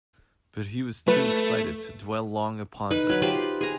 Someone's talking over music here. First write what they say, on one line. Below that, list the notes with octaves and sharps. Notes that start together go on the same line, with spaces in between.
But he was too excited to dwell long upon them.
A3 B4
D#4 B4
F#3 B4
F4 G4 B4 C5
G#4 A#5